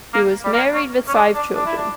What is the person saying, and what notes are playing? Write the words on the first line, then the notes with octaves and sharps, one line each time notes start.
He was married with five children.
A#3
G3
A#3
C#4
C#4
D4
D4
D4
E4
D4